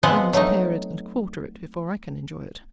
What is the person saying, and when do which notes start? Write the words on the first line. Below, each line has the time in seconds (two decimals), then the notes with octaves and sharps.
I must pare it and quarter it before I can enjoy it.'
0.03 F3 G#3 B3 C4 F#5 A5
0.33 F#3 A3 D#4